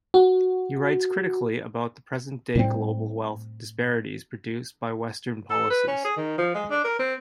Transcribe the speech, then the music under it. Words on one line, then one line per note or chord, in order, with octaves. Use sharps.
He writes critically about the present-day global wealth disparities produced by Western policies.
F#4
A2 G3 C4
A4
B4
C#4
G#4
D#3
F3
G#3
D4
A#4
C4